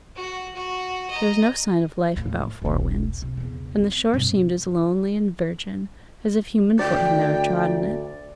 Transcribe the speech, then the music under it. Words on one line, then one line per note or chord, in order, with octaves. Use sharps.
There was no sign of life about Four Winds and the shore seemed as lonely and virgin as if human foot had never trodden it.
F#4
F#4
D#5 A#5
D#2 A2
E1 C2
C3 A#3
E2 C#3
C4
G2 C3
D2 D5 G5